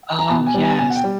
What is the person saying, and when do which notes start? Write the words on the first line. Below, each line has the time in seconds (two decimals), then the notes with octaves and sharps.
Oh, yes.
0.19 A#5
0.29 B2 A5
0.46 G#5
0.54 G3 B3
0.63 G#5
0.78 B2 G#5
0.90 F#5
0.95 G5
1.04 G3